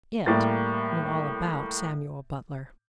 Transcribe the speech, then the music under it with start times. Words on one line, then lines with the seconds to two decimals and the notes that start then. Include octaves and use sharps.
It knew all about Samuel Butler.
0.26 A2 G3 A#3 A6